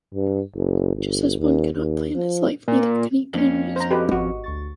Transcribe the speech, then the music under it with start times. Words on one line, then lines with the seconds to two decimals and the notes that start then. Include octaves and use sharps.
Just as one cannot plan his life, neither can he plan music.
0.14 G2
0.55 F#1
0.96 G1
1.39 D#2
1.75 D#2
2.15 F3
2.68 A#2
3.34 F2 A#3 C#4 D4
3.76 C5 A#5
3.91 F#4 G4 A4 B4 D#5
4.12 G#1 F#4 D#5
4.44 D2 C#6 A6